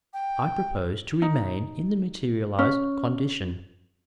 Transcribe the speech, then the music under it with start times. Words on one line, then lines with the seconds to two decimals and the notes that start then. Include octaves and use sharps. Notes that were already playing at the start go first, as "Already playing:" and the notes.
'I propose to remain in the materialized condition.'
0.13 G5
1.22 D#4
2.59 C#4